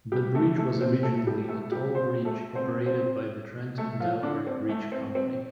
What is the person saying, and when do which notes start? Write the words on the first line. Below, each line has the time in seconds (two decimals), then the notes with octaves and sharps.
The bridge was originally a toll bridge operated by the Trenton Delaware Bridge Company.
0.12 G3 G4
0.34 A3 A4
0.58 A3 A4
0.81 C4 C5
1.03 A3 A4
1.26 G3 G4
1.49 A3 A4
1.72 G3 G4
1.95 C4 C5
2.25 A3 A4
2.55 C4 C5
2.86 C4 C5
3.78 A3 A4
4.00 F3 F4
4.23 D3 D4
4.47 C4
4.69 A3
4.92 C4
5.15 C4